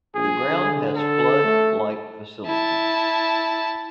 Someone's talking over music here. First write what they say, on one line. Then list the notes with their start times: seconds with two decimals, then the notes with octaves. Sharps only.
The ground has flood light facility.
0.15 A#1 G#4
0.50 D3
0.97 A4
1.44 A3
2.46 E4 A5